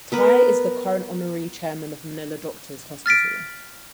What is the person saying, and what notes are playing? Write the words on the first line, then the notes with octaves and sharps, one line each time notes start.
Ty is the current honorary chairman of Manila Doctors Hospital.
B3 A#4 B4
F6 A6 B6 D7